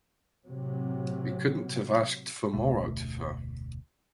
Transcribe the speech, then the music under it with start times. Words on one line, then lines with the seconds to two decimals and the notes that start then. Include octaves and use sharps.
We couldn’t have asked for more out of her.
0.45 A2 C3 F#3
2.53 F1 D2 B2 A3